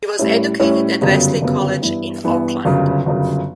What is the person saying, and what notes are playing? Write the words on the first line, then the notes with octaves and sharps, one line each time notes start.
He was educated at Wesley College in Auckland.
A2 G3 C#4 E4
A2 G3 C#4 E4
G1 F#2 C#3 G3 B3
G1 F#2 C#3 G3 B3
G2 E3 B3 E4
G2 E3 B3 E4
G1 F#2 C#3
G1 F#2 C#3